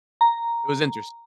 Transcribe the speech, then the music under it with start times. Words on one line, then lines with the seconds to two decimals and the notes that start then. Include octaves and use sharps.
It was interesting.
0.21 A#5